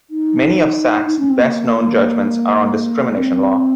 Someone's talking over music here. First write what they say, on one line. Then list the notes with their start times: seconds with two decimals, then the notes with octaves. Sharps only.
Many of Sachs's best-known judgments are on discrimination law.
0.10 D#4
1.06 D#4
1.19 C#4
1.30 C4
1.42 A#3
3.17 C4